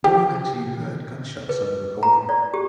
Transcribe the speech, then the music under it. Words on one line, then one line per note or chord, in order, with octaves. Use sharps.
No one actually heard gunshots on the recording.
G4
B4
A#5
D5
G4